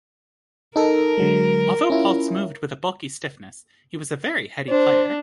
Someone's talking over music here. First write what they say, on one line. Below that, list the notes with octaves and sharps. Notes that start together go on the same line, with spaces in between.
Although Paultz moved with a bulky stiffness, he was a very heady player.
D#4 A4 A#4
D3 F#3 G#3
C#4 E4 F4
D4 C5